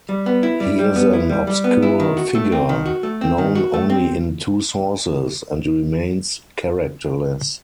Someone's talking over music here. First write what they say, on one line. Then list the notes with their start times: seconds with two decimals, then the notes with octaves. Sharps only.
He is an obscure figure, known only in two sources, and remains characterless.
0.09 G3
0.26 B3
0.43 E4
0.60 G3
0.79 G3
0.96 B3
1.13 E4
1.29 G3
1.47 G3
1.64 B3
1.82 E4
2.00 D#3
2.17 F#4
2.35 A3
2.52 C4
2.69 D#3
2.86 F#4
3.03 A3
3.21 C4
3.38 D#3
3.55 F#4
3.73 A3
3.90 C4